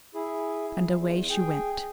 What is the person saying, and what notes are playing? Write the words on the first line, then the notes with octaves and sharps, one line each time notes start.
And away she went.
E4 G#4
E2
G#4 G5